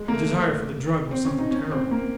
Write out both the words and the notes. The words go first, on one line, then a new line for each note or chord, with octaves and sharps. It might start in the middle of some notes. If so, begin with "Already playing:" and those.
The desire for the drug was something terrible.
Already playing: G#3
A#3
A3
A#3
C4
C#4
D#4
C#4
C4
A#3